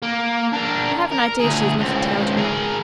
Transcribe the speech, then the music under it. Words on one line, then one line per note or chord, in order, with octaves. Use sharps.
I have an idea she is not a telltale.
A#3
D4 A#4
A#4
D2 G#4
C#2 C4
G#4 A#4